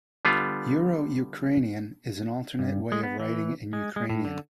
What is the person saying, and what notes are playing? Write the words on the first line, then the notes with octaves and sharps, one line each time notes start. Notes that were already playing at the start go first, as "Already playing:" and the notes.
Euro-Ukrainian is an alternate way of writing in Ukrainian.
D3 G3 B3 F4
G2
G#3
B3
E3
G#3
G#3
A2
D3